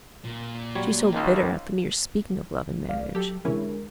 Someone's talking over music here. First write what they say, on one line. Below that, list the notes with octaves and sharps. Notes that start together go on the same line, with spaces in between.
She's so bitter at the mere speaking of love and marriage.
A#2
F#3 G3 C#5
C#2 D#3 C#4
C2 D5 F5
F#3 G4 A4
D3 E3 G#3 C#4 E4 A#4